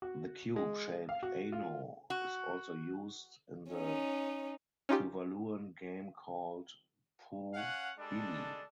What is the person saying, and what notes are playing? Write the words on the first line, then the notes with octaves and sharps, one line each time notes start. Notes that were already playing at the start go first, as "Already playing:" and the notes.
The cube shaped "ano" is also used in the Tuvaluan game called "poo ili".
F#4
G#3
F5
F#4
F4
F#4
C#4 D#4
C#4 D#4 F4 G4
C#4 F5 F#5
G3 G#3 D4 A4